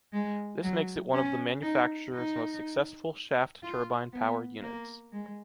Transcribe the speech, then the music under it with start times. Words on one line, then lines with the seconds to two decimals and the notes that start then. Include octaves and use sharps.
This makes it one of the manufacturer's most successful shaft turbine power units.
0.13 G#3
0.63 F#3
1.13 C#4
1.62 D#4
2.13 D#4
3.63 F4
4.13 B3
4.62 A#3
5.13 G#3